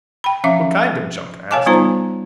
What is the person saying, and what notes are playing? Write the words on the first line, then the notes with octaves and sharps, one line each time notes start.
"What kind of junk?" I asked him.
G5 B5
F3 C#4 E5 F5 D6
C#5 F5 G#5 A5 D6
G3 B3 D#4 F4 C5 A#5